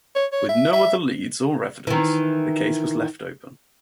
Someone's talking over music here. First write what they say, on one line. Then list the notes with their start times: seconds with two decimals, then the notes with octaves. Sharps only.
With no other leads or evidence, the case was left open.
0.15 C#5
0.32 C#5
0.49 E5
0.73 E5
1.87 D#3 E3